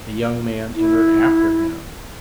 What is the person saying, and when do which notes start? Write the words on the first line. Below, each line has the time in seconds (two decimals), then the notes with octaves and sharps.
The young man entered after him.
0.75 E4